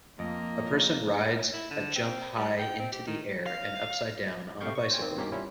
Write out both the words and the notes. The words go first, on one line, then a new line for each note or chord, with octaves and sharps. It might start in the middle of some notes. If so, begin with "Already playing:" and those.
A person rides a jump high into the air and upside down on a bicycle.
F2 A#3 F4 D#5
E4
D3
C4
G3
G5
C4
G4
D#3
F5
C3 A3 F5 G5 C#6 G6
C#6
C5 C#5 G5 G#5
D#3 A#3 C4
G2 B2 D#3 A#3 C#4 G4
G3 C#4 E4 F4